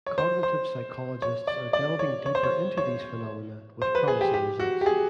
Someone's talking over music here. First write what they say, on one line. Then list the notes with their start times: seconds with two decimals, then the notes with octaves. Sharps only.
Cognitive psychologists are delving deeper into these phenomena with promising results.
0.06 C#5
0.18 C5
0.43 C5
1.22 C#5
1.47 D5
1.73 D5
1.99 C#5
2.26 C#5
2.35 C5
2.43 C#5
2.77 C#5
3.82 C5
3.95 B4
4.08 G#4
4.21 G4
4.34 G4
4.60 F#4
4.81 G4
4.86 G#4